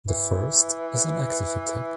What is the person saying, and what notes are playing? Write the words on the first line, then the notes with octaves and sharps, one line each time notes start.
The first is an active attack.
E3